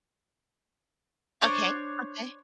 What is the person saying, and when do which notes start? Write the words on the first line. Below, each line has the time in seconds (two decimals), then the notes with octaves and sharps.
Okay. Okay.
1.42 D4 C5 C#5